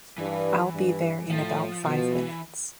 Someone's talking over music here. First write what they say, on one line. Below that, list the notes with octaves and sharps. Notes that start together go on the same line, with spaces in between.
I'll be there in about five minutes.
G2 E3
G2
A2 F3
B2 F3
E3